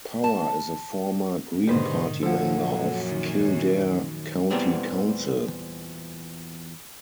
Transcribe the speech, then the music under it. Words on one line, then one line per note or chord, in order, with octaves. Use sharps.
Power is a former Green Party member of Kildare County Council.
A5
G#2 B2 D3 D#3 G3 B4 C5
F#2 A#2 F3 F#3 A4 F#5
D#3
E2 A#2 E3 G3 B3 C4